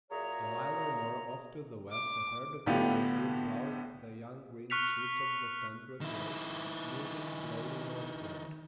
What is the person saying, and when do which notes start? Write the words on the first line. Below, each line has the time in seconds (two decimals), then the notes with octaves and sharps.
A mile or more off to the west a herd of caribou browsed the young green shoots of the tundra growth, moving slowly northward.
0.10 A#2 F#3 G#4 C#5 E5 A#5
1.92 D6
2.66 B1 A2 D3 B3 F4 G4
4.70 C#6 F6 F#6 B6 C#7 F7
6.01 D#3 E4